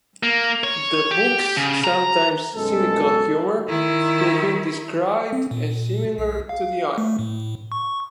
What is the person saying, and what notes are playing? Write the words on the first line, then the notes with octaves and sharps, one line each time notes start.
The book's sometimes cynical humor has been described as similar to The Onion.
A#3
C#5
G4
C#3
A#5
B1 F#2 G#3 A4
D#3 E4
C4
A#2
B1
F5
A3
A2
C#6